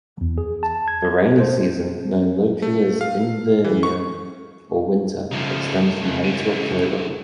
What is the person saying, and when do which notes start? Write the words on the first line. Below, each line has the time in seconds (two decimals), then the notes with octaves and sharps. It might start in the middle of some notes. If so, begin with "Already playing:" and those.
The rainy season, known locally as "invierno", or winter, extends from May to October.
0.21 E2
0.38 G#4
0.63 A5
0.88 G#6
1.40 C5
2.62 A3
3.01 F5
3.64 E3
3.83 C#6
5.31 C#2 F3 A3 D#4
6.02 C#2
6.24 D3 E3